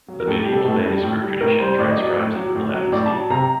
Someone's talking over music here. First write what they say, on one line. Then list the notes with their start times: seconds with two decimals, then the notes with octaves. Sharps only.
The medieval manuscript tradition transcribes it with Latin Z.
0.08 F#3
0.20 A#4
0.27 A2 A4
0.40 G4
0.46 G3
0.53 A4
0.65 A2 A4
0.85 G3
1.03 A2
1.22 G3
1.41 A2 A#4
1.60 G3 C5
1.78 A2 D5
1.91 D#5
1.97 F#3
2.03 D5
2.16 A2
2.36 F#3
2.55 A2
2.74 F#3
2.92 A2 D5
3.06 A5
3.11 F#3
3.30 C3 A#5